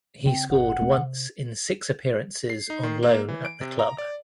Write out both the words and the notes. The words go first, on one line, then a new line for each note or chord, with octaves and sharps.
He scored once in six appearances on loan at the club.
C#3 C4 G5
G1 F#5
D#1 A3 C4
C3
C7
D#4
D#3
A#3
E3
D7
C3
A#5
D5